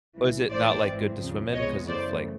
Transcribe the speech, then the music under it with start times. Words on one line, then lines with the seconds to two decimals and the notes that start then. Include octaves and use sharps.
Was it not, like, good to swim in 'cause of, like,
0.16 C#2 C#3 E3
0.50 A1 A2 E3 A3 C5 D5
0.85 G#1 G#2 E3 G#3 C4
1.19 D#2 C#3 F3
1.53 C#2 C3 F3 G#3 B3 C#5 D#5
1.88 F#2 C#3 E3 A3 C5 D5